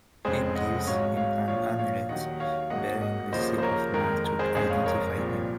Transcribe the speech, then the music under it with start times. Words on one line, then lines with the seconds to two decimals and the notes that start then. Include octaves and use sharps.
He gives him an amulet bearing the seal of Mar to identify him.
0.25 F1 F2 C#3 G#3 C4 G#4 C5
0.56 D#5 F#5
0.87 G#1 G#2 F#3 C#5 F5
1.17 C#5 F5
1.48 A#1 A#2 F3 C#5 F5
1.79 C#5 F5
2.09 D#2 D#3 F#3 D#5 F#5
2.40 C#5 F5
2.70 G#1 G#2 F#3 A#3 D#5 F#5
3.01 D#5 F#5
3.32 D#2 C#3 F3 A#3 C5 D#5
3.58 C5
3.63 A#4 C#5
3.93 F2 D#3 G#3 A#4
4.24 A#4
4.39 G#4 C5
4.54 F#1 F2 C#3 G#3 G#4 C5
4.70 C#5 F5
4.86 A#4 C#5
5.17 C2 A#2 F3 C4